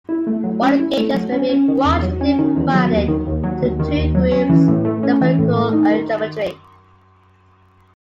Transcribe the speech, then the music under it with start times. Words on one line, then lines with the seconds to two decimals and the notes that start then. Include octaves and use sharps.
Wire gauges may be broadly divided into two groups, the empirical and the geometric.
0.09 E4
0.27 A3
0.44 F#3
0.62 C#4
0.79 E4
0.97 A3
1.14 F#3
1.32 C#4
1.49 C#4
1.68 D#3
1.85 E2
2.02 F#3
2.21 C#4
2.39 D#3
2.56 E2
2.73 F#3
2.92 D#2
3.08 D#3
3.27 D#2
3.43 F#3
3.62 D#2
3.80 D#3
3.97 D#2
4.15 F#3
4.32 C#4
4.49 E3
4.68 A2
4.85 A3
5.03 C#4
5.21 E3
5.39 A2
5.56 A3
5.73 D#4
5.91 D#3